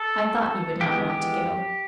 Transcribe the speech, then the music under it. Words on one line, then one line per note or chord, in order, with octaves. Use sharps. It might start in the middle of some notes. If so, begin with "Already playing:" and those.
I thought you would not want to go.
Already playing: A4
E3 G#3 B3 G4
G4